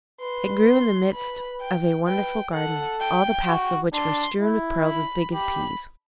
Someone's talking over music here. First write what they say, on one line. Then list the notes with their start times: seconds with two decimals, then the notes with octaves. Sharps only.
It grew in the midst of a wonderful garden, all the paths of which were strewn with pearls as big as peas.
0.21 B4 C6
0.67 C6
1.14 B4 B5
1.61 G5
2.07 B4 G5
2.53 A4 F#5
3.00 G5
3.47 F#4
3.93 D4 C6
4.40 E4
4.86 B5
5.33 G4 B5